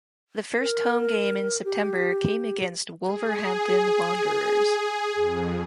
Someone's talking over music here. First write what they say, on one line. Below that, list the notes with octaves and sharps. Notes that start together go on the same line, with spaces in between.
The first home game in September came against Wolverhampton Wanderers.
A#4
G4
G#4
F2